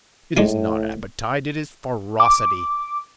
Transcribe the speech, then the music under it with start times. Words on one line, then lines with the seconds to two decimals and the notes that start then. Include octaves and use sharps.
It is not appetite, it is ferocity.
0.37 A2 G#3 D4 D#4
2.20 D6